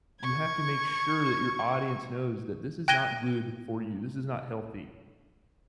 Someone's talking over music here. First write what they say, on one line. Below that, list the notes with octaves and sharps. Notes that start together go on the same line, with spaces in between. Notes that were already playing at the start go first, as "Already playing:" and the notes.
you have to make sure that your audience knows that this is not good for you, this is not healthy.
C#6 G#6
G5 F#6 G#6 A#6 D#7 G7